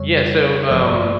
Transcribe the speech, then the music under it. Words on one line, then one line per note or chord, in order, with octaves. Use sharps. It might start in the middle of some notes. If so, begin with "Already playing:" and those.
Yeah, so, um,
Already playing: F2 C#3 G3 C#5
A1 G2 F3 A3 D5